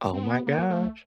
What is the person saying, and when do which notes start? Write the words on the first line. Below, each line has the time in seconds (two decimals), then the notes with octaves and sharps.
Oh my gosh,
0.13 C4
0.23 B3
0.47 A#3
0.70 A3